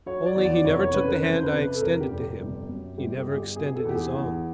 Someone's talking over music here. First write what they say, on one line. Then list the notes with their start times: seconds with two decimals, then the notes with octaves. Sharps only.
Only, he never took the hand I extended to him. He never extended his own.
0.06 F#3 C#5
0.26 D5
0.35 E2
0.45 D5
0.65 F1 C#5
0.79 C#5
0.94 C#3 B4
1.08 A#4
1.23 F2 C5
1.42 B4
1.52 C3
1.62 B4
1.74 A4
1.81 F1 A#4
2.01 G4
2.11 F1
2.20 G4
2.40 G1
2.69 F#2
2.98 G1 G4
3.18 G4
3.27 G1 G#4
3.37 G4
3.56 B2 G#4
3.76 A4
3.85 E2 G4
3.95 G#4
4.14 E2